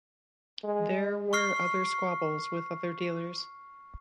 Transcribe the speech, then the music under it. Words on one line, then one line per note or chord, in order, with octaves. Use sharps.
There were other squabbles with other dealers.
G#3
C#6 F6 C7